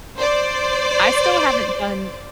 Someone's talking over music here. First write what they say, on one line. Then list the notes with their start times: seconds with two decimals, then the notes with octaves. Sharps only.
I still haven't done
0.17 C5 D5